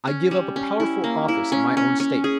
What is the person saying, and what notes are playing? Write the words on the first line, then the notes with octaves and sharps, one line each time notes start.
I give up a powerful office in my own state.
C#4
G3
C#4
E4
A#3
E4
C#4
C#4
C#4
G#4